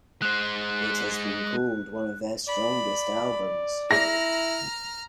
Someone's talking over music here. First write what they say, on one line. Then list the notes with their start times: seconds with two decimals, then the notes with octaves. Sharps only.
It has been called one of their strongest albums.
0.22 G#3 C5 F#6
2.48 D5 B5
3.91 E4 A#5 F6 A#6